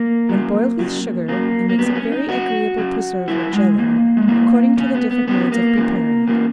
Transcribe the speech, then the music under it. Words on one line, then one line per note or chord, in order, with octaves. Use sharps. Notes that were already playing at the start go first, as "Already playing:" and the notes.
When boiled with sugar, it makes a very agreeable preserve or jelly, according to the different modes of preparing it.
Already playing: A#3
C#3 F#3
C#3 F#3
C#3 F#3 A#3
A#3
C#3 F#3 B3
C#4
D#4
C#3 F#3 F#4
C#3 F#3
C#3 F#3 E4
G#3
C#3 E3 A#3
G#3
C#3 E3 A#3
C#3 E3 C#4
B3
B3
C#3 E3 B3
A#3
C#3 E3
C#3 E3 A#3